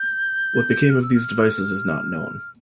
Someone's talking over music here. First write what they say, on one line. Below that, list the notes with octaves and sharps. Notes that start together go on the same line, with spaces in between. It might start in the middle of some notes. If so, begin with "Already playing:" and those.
What became of these devices is not known.
Already playing: G6
F6
E6
F6